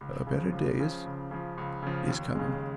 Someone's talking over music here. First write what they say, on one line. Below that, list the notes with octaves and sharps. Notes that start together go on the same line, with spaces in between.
A better day is--is coming.
C#2
C#3 F3
C#2
C#3 F3
C#2
C#3 F3
C#2
C#3 F3
D#2
C#3 G#3